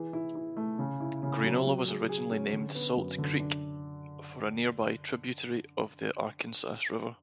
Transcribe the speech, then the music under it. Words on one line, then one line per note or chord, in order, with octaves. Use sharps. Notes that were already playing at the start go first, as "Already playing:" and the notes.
Grainola was originally named Salt Creek for a nearby tributary of the Arkansas River.
Already playing: E3 G#4
E4
E4
A3
C#3
E4
C#3
F#3
F#3
G#4
G#4
C#4
D3
B3
F#2
D3
D4